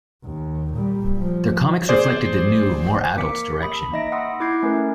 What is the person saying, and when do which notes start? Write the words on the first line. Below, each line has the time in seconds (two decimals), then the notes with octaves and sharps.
Their comics reflected the new, more adult direction.
0.25 D#2
0.74 A#2 G3
1.18 F3
1.89 G#4 C5 D5
3.17 A#3 A#4 D6 B6 C#7
3.63 B5 D#6
3.92 A#3 D#4 D#5 E5 A#6 D7
4.12 F#5 B5 C6 D#6 E6
4.40 E4 D6 G6 G#6 C7
4.63 A3 C#4 A#4 B4